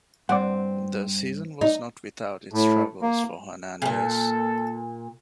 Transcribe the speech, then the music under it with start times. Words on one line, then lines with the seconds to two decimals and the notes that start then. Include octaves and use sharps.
The season was not without its struggles for Hernandez.
0.29 G2 C4 D5 F#5
1.61 D#4
2.52 A2
3.02 A#3
3.82 A#2 C#3 A4